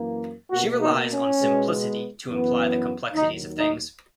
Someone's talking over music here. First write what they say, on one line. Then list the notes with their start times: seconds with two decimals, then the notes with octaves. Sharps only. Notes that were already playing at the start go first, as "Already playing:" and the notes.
She relies on simplicity to imply the complexities of things.
Already playing: F#2 E3 A#3
0.51 B2 A#3 F#4
0.80 D#4
1.09 C#4
1.38 B2 G#3 B3
2.26 F#2 E3 B3
3.13 D#2 D#3 F#3 D#4
3.57 D#4